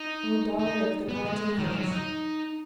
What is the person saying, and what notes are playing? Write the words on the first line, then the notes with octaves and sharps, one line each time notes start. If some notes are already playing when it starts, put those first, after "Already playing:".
Oh, daughter of the gods of Hellas!
Already playing: D#4
D#4
B3
G#3
D#3
G#3
F#3
D#4